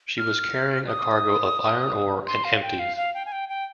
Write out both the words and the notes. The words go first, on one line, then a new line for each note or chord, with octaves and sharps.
She was carrying a cargo of iron ore and empties.
F6
D#6
C6
F5
G5
F5
F5
G5
G#5
G5
G5